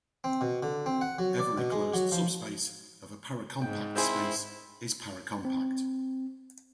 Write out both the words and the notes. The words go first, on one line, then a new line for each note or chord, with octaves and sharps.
Every closed subspace of a paracompact space is paracompact.
C4
B2
D3
C4
F#5
F#3
D5
B2
G#3
F#3
F3
G#2 G5
C4 E4 G#4 A#4 C5
C4